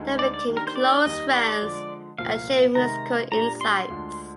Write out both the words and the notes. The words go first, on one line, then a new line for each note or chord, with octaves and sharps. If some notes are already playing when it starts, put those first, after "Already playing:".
They became close friends and shared musical insights.
Already playing: D2 D3 G#3 D#4 G#4
D5
D5
D#3 A#3 D4 G4
A#4
C5
D5
D#2 D#3 G3 A#3 D#5
D5
D3 F3 G#3
C2 A#2 F3 A#3 F5
C3 D#3 G#3 D#4 A#4 A#5
A#2 G3 D4 A#5
C6
D2 D3 G#3 D4 F4